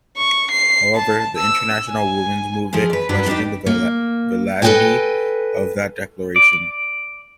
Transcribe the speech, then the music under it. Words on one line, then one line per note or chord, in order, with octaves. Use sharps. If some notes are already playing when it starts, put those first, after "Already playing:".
However, the international women's movement questioned the validity of that declaration.
C#6
C7
A5
E6
G#5
F3 A3 F4 G#4
B4 D5
G2 F#3 G3 D4 B4
G3 B3 D4 D#4 G4
A#3
A4 B4 C5 D#5 G5 G#5
D5